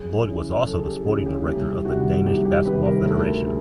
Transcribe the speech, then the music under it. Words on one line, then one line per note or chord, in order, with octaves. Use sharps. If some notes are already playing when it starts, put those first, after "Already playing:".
Loyd was also the sporting director of the Danish Basketball Federation.
Already playing: F#2 G#4
C#3 E3 G#4
F#2 A4
G#4
G4
C#3 E3 G#4
G4
C2 G4
C3 D#3 G3 F#4
C2 G4
G4
C3 D#3 G3 B4
A#4
D2 A4
D3 G#4